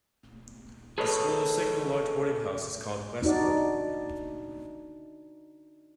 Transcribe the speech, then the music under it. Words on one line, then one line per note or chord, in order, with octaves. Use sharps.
The school's single large boarding house is called Westwood.
G#4 A4 B4 C#5 D#5
D4 D#4 F#4 D5